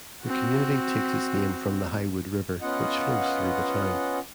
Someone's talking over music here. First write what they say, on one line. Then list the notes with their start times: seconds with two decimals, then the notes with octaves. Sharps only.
The community takes its name from the Highwood River, which flows through the town.
0.24 C4 F#4
2.62 B3 C#4 F4 D#5 F#5